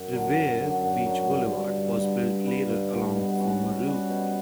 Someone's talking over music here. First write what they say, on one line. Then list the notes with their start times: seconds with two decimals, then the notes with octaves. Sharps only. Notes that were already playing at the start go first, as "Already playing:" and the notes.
Revere Beach Boulevard was built later along the former route.
Already playing: F#2
0.13 D3 F#3
0.36 F#2
0.59 D3 F#3
0.82 F#2
1.06 D3 F#3
1.29 G2
1.52 D3 G3
1.76 G2
1.99 D3 G3
2.22 G2
2.46 D3 G3
2.69 G2
2.92 D3 G3
3.16 B2
3.39 G3 C#4 F#4
3.63 B2
3.86 G3 C#4 F#4
4.10 B2